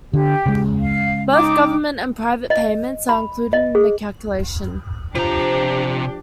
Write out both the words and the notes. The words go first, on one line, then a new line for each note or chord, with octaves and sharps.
Both government and private payments are included in the calculation.
D3 G4
C#3 G#3
F5
D#4 G5 D6
D#5
B5
D#5
G#4
C3 F3 D4 G4 A#5